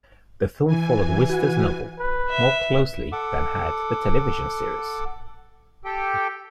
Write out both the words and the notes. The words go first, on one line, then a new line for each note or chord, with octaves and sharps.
The film followed Wister's novel more closely than had the television series.
E3 G#5
F#4
B4
E5
A4 F#5 D6
G4 A4 G5